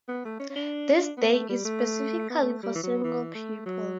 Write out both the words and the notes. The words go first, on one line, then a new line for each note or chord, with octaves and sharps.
This day is specifically for single people.
B3
A3
C#4
C#4
D4
B3
A3
G3
A3
B3
A3
G3
E3
F#3
E3
A3
F#3